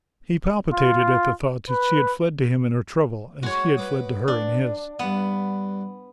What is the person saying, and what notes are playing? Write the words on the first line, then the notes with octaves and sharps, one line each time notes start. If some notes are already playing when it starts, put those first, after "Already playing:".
He palpitated at the thought that she had fled to him in her trouble as he had fled to her in his.
F4
B4
G#3 F#4 C#5
B4 D6 D#6
D4
G2 B3 F#5